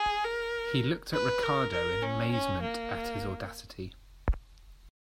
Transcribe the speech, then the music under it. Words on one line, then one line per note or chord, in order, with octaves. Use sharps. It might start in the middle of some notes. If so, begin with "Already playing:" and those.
He looked at Ricardo in amazement at his audacity.
Already playing: G#4
A#4
B4
A#4
A#4
C#4
C#4
A#3